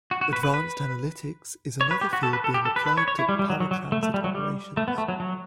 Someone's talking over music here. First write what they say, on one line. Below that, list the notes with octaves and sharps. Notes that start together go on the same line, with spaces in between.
Advanced analytics is another field being applied to paratransit operations.
F#4
F#4
B4
B4
B4
C#5
B4
G4
F#4
A4
B4
A4
G4
A4
B4
B4
C#5
C#5
E4
G3
G3
F#3
F#3
F#3
A3
A3
G3
F#3
G3
A3
B3
A3
F#3
F#3